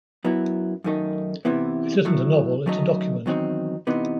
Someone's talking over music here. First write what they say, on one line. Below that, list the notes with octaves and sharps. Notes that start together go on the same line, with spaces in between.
It isn’t a novel, it’s a document.
F#2 F#3 B3 E4
F#2 D#3 A3 D#4
C3 E3 B3 E4
A2 F#3 A3
F#2 D#3 F#3 A3 D#4
E2 D#3 F#3 C4 D#4
C3 E3 B3 D#4